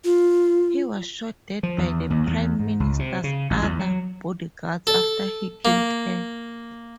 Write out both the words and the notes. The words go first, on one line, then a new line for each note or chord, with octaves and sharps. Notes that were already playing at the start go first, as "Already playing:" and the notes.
He was shot dead by the Prime Minister's other bodyguards after he killed her.
F4
F3
E2
D#2
E2
G#2
C#2
C3
C#3
A1
E2
F#3
A4
A#3